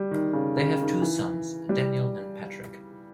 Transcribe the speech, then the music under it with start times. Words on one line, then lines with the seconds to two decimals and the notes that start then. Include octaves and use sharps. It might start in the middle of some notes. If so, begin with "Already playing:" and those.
They have two sons, Daniel and Patrick.
Already playing: G3
0.11 D#3
0.33 C#3
0.57 C#3
0.80 D#3
1.02 E3
1.69 G3